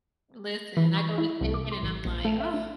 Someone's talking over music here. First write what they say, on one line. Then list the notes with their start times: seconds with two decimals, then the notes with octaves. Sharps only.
Listen, I go to shaping and I'm like, "Oh,"
0.77 E3
0.97 C#6
1.18 E4
1.41 C2
1.54 D6
1.72 C6
1.83 A1
2.05 A#1
2.25 A3
2.40 E5
2.54 D4